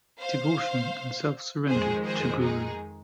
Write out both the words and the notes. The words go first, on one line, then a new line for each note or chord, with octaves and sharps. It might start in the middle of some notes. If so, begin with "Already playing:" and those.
Devotion and self-surrender to guru.
C5 F5
F2 D#3 G#3 G#4 C5
G#4 C5
D#4 G#4